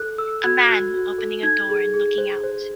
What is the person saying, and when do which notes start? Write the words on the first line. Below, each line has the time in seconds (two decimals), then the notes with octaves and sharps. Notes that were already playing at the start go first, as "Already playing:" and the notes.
A man opening a door and looking out.
Already playing: A4 F#6
0.18 A4 E6
0.44 F#4 G#6
0.69 F#4 F#6
0.94 F#4
1.18 A4
1.43 D#4 G#6
1.69 G#4
1.94 G#4
2.18 C5
2.43 C5